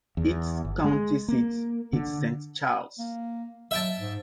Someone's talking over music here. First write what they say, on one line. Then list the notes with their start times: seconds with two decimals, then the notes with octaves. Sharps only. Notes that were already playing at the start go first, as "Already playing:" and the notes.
Its county seat is Saint Charles.
0.17 E2
0.64 G1
0.84 G#3
1.28 A#3
1.93 D3
2.99 A#3
3.71 F#3 E5 G5 A5
3.98 G#2